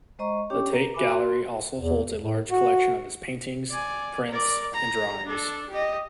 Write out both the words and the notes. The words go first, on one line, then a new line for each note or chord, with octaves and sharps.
The Tate Gallery also holds a large collection of his paintings, prints and drawings.
G#3 C5 D#5 A#5 C#6
C#4 D4 G4 C#5 G5 D6
A#4 A#5
F#4 E5 G#5 B5 D6
F#4 C6
E2
A2
F#4
D5 G#5
A#4 D5
A#5
D4 A4
G4 D#5